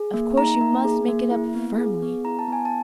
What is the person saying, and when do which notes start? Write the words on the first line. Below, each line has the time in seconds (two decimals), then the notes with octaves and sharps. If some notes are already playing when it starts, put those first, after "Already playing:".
Of course, you must make it up FIRMLY.
Already playing: G#4
0.14 A#3
0.37 D#4 A#5
0.61 A#3
0.85 G#4
1.08 A#3
1.31 E4
1.55 B3
1.78 G#4
2.02 B3
2.25 E4 A#5
2.39 A5
2.48 B3 G#5
2.65 A5